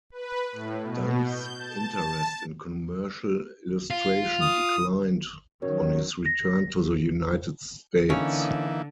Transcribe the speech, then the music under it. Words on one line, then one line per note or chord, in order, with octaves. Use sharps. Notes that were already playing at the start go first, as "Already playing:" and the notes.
Dunn's interest in commercial illustration declined on his return to the United States.
B4
A2
B2
G6
A5
A5
F4
D#6
D#3 F#3 C#4 F#4 A#4 C#5
A#6
D3 E3 A#3 C#4 D#4